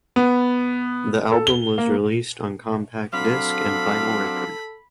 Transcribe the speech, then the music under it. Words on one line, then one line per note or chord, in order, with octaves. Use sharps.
The album was released on compact disc and vinyl record.
B3
A4
G7
A#3
F#3 C4 D4 A4 F5 B5